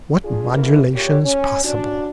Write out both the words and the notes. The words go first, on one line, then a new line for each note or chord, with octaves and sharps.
What modulations possible!
D4 F4 G#4
D#2 G#2 E3 A3 A#4
A#2 C#3 G4 C#5
C#4
D4 F#4